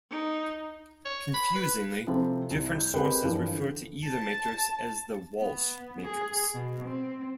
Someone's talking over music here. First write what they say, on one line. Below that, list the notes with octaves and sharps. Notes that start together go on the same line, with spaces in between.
Confusingly, different sources refer to either matrix as the Walsh matrix.
D#4
C#5
B5
B4
C3 F3 A3 C4
C2
G6
G#3 C4 G4 A#4 B4
G2 E3 F3
D3
A5
B3
G#4
B2
C4